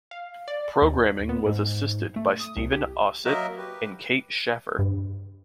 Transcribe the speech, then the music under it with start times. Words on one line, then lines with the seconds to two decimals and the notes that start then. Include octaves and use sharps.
Programming was assisted by Steven Osit and Kate Schaffer.
0.11 F5
0.48 D5
0.82 D#2
1.29 B3
1.46 G#2
2.16 A3
2.39 D#6
2.56 C2
2.72 G4
3.25 F#3 A#3 F#4 A#4 D#5 E5
3.58 G4 B4
4.79 G2